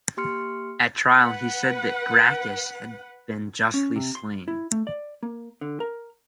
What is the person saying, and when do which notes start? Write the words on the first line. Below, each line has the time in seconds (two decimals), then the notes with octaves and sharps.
At trial, he said that Gracchus had been justly slain.
0.17 A#3 G4 C6 F6 C#7
1.14 B4 F#5
3.74 C#4
3.96 C3
4.15 C6
4.48 E4
4.72 A3
4.87 D5
5.23 A#3
5.61 D3
5.80 A#4